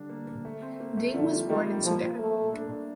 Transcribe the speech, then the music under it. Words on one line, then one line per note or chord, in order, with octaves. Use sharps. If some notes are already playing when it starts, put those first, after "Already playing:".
Deng was born in Sudan.
Already playing: D3 G3 D4
A#3
A#3
A3
C4
A#3
A3
D3 F3
G3
D#3 G3
A3
F3 A#3
A3
D4
D4